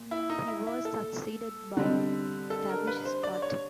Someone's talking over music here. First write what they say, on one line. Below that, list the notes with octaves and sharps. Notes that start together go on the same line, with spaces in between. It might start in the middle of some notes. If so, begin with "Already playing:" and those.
He was succeeded by Tavish Scott.
Already playing: A#2
E4
D#4
E4
E4
A4
D3 G3 C4 D#4
A4
A#4
B4
C5
D5
C#5